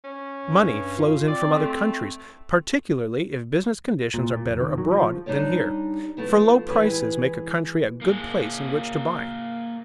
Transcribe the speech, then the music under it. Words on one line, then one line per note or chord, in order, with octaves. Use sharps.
Money flows in from other countries, particularly if business conditions are better abroad than here, for low prices make a country a good place in which to buy.
C#4
G2
F4
C4 D5
A3
A#2
A#2
F1
D#3
F#3
F3
G3 D4 D#4 G4 C#5 D5
F3 A3 B3 E4
E3 G#3 E4 G4 B4
A#3 G#4